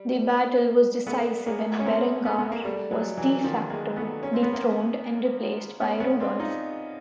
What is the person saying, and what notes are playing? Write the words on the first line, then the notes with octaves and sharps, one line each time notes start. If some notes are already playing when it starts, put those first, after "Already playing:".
The battle was decisive and Berengar was "de facto" dethroned and replaced by Rudolf.
Already playing: G3
A3 B3
G#3 A#3
C#4
A#3 C4
A3 B3
B3
A#3
G3 A3
F#3 G#3
E3 F#3
D#3 F3
G#3 A#3
A3 B3
C#4
C4
B3
A#3 C4
B3 C#4
B3 C#4
C4 D4
D#4 F4